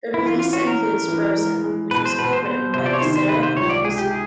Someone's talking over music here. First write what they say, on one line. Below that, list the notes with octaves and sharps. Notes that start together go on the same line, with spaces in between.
The release includes "Frozen" which was co-written by Gissara and Michaelson.
E4
E3 F4
F4
C#4 F#4
A#4
A3
E3
G#3
G#3
B2 B4
C5
B2 B4
C5
B3 C5
C3 C5
D5
C#5
D#3 C5
C5
C3 B4
C5
C#2 C#5
D5
G#3 G#4
G4
G#4